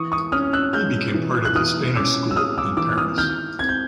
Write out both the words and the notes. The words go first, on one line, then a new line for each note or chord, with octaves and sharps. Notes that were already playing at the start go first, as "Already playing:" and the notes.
He became part of the Spanish School in Paris.
Already playing: E3 C#6 D#6
C#6 D#6
C#4 D#6 F6
E6 F#6
G#3 F6 G6
E3
F#6
E3 D#6 F6
C#4 D6 E6
E6
G#3 D#6 F6
D6 E6
E3 D6 E6
D#6 F6
D#3 F6 G6
C4 G#6
G6